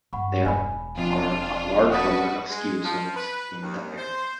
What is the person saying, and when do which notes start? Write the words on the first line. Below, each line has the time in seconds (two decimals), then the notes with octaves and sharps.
There are a large number of ski resorts in the area.
0.13 G2 F#5 B5 C#6
0.45 E1 G#5 B5
0.97 F2 D4 F4
1.91 D4 F#4 B4 F#5 D#6 A6
2.50 G#3
2.84 F3
3.16 B4
3.63 D#2
3.98 C5